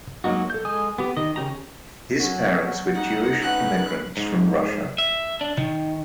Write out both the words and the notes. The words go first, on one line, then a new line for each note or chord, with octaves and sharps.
His parents were Jewish immigrants from Russia.
F#3 G#3 A#3 D#4 F#4
A4 G6
G#3 A4 G#5 D#6
B3 G4
D#3 D#5
C#3 C#4 G4 A#5
F#3 C#4 F#4
G3 D#4 F#5
A3 C#4 B4 F#5 F#6
G#2
E5
D4
D#3